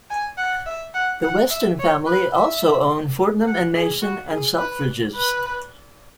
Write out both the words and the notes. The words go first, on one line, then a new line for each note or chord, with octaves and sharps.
The Weston family also own Fortnum and Mason and Selfridges.
G#5
F#5
E5
F#5
F#5
E5
C#5
B4
E5
F#5
G#4
F#4
G#4
B4
B4